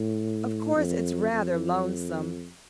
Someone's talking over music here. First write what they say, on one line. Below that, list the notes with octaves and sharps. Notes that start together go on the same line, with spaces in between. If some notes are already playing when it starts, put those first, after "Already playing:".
Of course, it's rather lonesome.
Already playing: A2
F2
F2